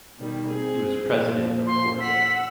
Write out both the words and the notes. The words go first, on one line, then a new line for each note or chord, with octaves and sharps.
He was president of Quarterdeck.
B2 D#3 G3
C4 G#4
A#2 F3
C6
F#5 E6 B6